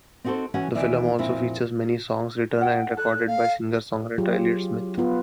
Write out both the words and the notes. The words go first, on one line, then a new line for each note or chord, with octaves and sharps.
The film also features many songs written and recorded by singer-songwriter Elliott Smith.
C4 D#4 F#4 G4 A4 C5
E3 C#4 F#4 C#5 F#5
D#2 B2 E3 D5 E5
F2 A#2 C4 E4
F#5 G5
A4 D5 F#6
F5
F#3 F4 G4 G#4
B3 F4 B4